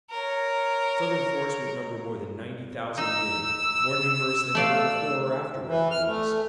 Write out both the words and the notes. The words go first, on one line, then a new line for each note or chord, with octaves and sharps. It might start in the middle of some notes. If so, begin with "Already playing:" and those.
The Southern force would number more than ninety thousand men, more numerous than ever before or afterward in the West.
A#4 C#5
D#4 E6
A3 D5 F5
E3
F6
A3